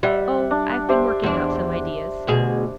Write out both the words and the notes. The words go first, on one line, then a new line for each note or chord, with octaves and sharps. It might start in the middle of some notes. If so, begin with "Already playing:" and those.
'Oh--I've been working out some ideas.'
G3 E5 F#5
D4
G4 C5 E5
E2 D4
D2 B2 G#4